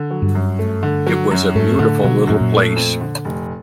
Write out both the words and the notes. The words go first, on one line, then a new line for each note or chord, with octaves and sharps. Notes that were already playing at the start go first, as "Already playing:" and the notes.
It was a beautiful little place.
Already playing: D3
F#3
G2
F#2
A3
D3
F#3
F#2
G#2 A3
A2 D3
B2 F#3
F#2 A2
A#2
A3
F2
D3
F1